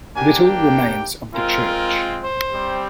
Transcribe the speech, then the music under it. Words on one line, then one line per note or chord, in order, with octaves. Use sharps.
Little remains of the church.
A#3 D4 G4 G#5
G5
G#3 C4 F4 A#4
C5
G3 C4 G4